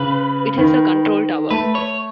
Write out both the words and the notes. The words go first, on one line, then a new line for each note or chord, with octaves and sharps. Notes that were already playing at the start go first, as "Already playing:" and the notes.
It has a control tower.
Already playing: C#3 B4
D#3
A3 B4
C#5